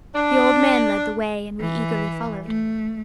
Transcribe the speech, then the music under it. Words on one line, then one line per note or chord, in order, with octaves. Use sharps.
The old man led the way, and we eagerly followed.
D4
E3
A3